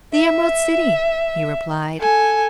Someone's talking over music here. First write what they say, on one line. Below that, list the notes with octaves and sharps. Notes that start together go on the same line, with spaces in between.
"The Emerald City," he replied.
E5
A4 G#5